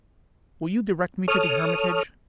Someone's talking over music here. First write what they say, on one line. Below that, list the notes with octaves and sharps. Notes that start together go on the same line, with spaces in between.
'Will you direct me to the Hermitage?
A4 C#5 D#6 F6